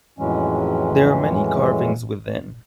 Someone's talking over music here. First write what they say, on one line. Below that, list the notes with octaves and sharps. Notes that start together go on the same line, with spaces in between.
There are many carvings within.
F2 A2 E3 F#3 G#3 C#4